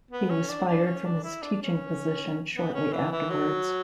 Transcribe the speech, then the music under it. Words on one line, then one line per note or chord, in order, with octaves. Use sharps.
He was fired from his teaching position shortly afterwards.
B3
C#4
D4
D4
C#4
D4
E4
D4
C#4
B3
C#4
E3
E3
F#3